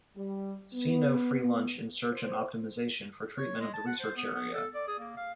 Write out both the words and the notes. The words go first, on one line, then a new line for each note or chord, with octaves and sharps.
See No free lunch in search and optimization for treatment of the research area.
G3
B3
C5
C#5
G#3
A5
F#5
C5
B3
B3
A4
D5
G#4
A#3
F5